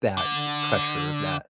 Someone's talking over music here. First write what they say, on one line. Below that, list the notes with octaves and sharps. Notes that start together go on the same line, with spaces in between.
that pressure, that
D3